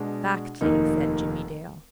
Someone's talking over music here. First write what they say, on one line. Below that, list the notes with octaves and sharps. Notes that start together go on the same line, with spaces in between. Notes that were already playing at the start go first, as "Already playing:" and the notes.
"Exactly," said Jimmie Dale.
Already playing: B2 G#3 D4
F1 D#2 D#3 A#3 D#4